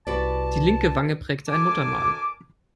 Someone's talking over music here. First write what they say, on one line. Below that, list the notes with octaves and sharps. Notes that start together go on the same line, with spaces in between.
Die linke Wange prägte ein Muttermal.
C2 F#4 B4 D5 A5
D2 A#4 G#5 A5 D6